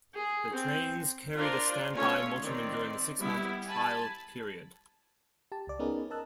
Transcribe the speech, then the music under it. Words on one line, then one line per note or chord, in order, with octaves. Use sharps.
The trains carried a stand-by motorman during the six-month trial period.
G#4
C4
D4 F4 A#4 C5
A3 C#4 F4 C#5
D#3 C4 D5
G3 B3 E4
G#5 A5 B5
G4 A5
C#2 D5
B3 C#4 D#4 G#4 A#4 B4
A#4 D#5 A5 E6 F#6